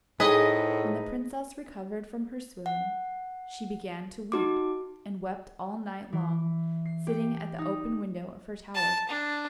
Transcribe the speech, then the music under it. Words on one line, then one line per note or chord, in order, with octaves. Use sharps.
When the princess recovered from her swoon, she began to weep, and wept all night long, sitting at the open window of her tower.
A2 D#4 G#4 B4 C5 D#5
F#5
D#4 F#4 D6
E3
C7
G4
D#4
A5
D4